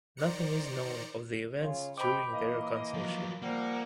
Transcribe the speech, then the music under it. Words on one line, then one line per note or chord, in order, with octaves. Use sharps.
Nothing is known of the events during their consulship.
D#3 C5 D5 A#5 C#7
C#3 C#4 F4
C5 D#5 G5 B5 D6
E3 A#3 D#5
F3 F#3
F3 G3 A#3 A#4 F#5